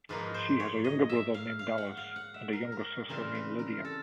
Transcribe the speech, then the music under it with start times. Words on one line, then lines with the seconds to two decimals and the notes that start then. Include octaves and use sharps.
She has a younger brother named Dallas and a younger sister named Lydia.
0.09 G#2 F3 A#3 D#4 B4
0.34 C5
0.60 C#5
0.84 D#5
1.09 E5
1.34 F5
1.59 F5
1.78 F#5
1.97 F5
2.16 F#5
2.34 E5
2.53 A#4
2.72 A#4
3.09 C#3 E3 G3 C4 A#4
3.35 B4
3.59 A#4
3.85 A4